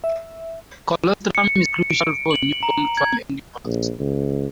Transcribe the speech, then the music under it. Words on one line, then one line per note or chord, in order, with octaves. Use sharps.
Colostrum is crucial for newborn farm animals.
E5
C#7
D7
F#7
A#5
G#6
A#1
C#2